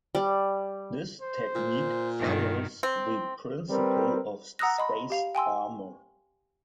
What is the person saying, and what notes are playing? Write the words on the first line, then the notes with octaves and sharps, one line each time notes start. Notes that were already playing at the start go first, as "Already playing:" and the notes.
This technique follows the principle of spaced armor.
G3
C5
A#2
G2 B2 D#3
C4
G3 C4 A#4 B4
F#5 A#5 D#6 E6 F#6 A#6
D#5 B5 C6
G4 F5 F7
G5 G#5 C6 E6